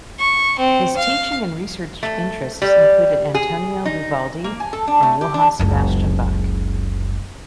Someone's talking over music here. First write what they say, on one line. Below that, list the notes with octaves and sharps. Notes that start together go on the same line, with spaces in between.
His teaching and research interests included Antonio Vivaldi and Johann Sebastian Bach.
C#6
C4
F5
A3
G3
G#4
D#4
A#3
G#5
A4
D4
A3
G4
D4
F#1 C#2